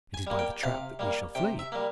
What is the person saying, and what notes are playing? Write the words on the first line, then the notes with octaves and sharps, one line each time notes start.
It is by the trap that we shall flee.
G#5
G3 A#3
G5
C3 F5
G3 A#3
C3 G5
E5
G3 A#3